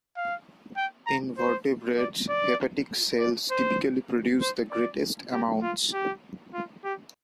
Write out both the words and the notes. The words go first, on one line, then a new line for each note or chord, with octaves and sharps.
In vertebrates, hepatic cells typically produce the greatest amounts.
F5
G5
A#5
C5
D5
D5
D5
C5
C5
D5
G4
F4
G4
F4
G4